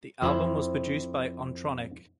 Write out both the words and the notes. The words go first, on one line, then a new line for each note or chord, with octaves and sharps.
The album was produced by Ontronik.
F2 C4 E4